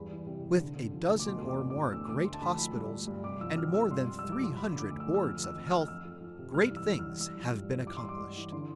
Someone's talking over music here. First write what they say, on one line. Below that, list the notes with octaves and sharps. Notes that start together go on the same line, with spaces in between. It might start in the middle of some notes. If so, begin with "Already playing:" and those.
With a dozen or more great hospitals and more than three hundred boards of health, great things have been accomplished.
Already playing: E2 G2 B5
E3
C3
C3
D3
D3
F3
D2
D6
B2 C6
E2
D6
B2
D6
B2
D2 E6
D2 D6
D2 C6
A5
D2 B5
F3 B5
G2
G2
G2
C3 D6
F3 E6
F3 F6
C2 E6
G2 C6
G2
E6
G2
D6
F3 C6
F3 B5
D3
D6
D2
E6
F3
E6
F2 F6
F3
E6
F2
F6
F3
F6
F2 E6
F2
F3
C3
G2 F6
E3
E6
G2
E6
E3 F6
G2 E6
F3
G2
F3
E3 D6
C6
G2
D6
G2
E3
D3 C6